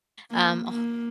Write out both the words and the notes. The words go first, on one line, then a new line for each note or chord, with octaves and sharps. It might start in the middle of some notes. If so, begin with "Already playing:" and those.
Um, h
A#3
A#3